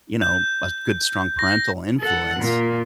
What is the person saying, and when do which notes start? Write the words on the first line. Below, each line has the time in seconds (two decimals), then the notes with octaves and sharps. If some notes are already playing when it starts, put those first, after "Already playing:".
you know, a good, strong parental influence
0.22 G6
1.39 A#6
2.00 A4 F#5
2.39 A#2